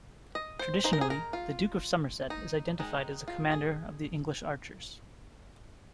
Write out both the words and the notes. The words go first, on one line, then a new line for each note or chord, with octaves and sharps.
Traditionally, the Duke of Somerset is identified as the commander of the English archers.
D#5
C5
G#3 D#4 C5
A#4
G#4
A#4
F4
D#4
D#3 G#3 D#4
F4
G#4